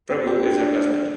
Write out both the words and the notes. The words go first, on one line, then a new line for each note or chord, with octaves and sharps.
Prabhu is her husband.
C4
G4
D4
D4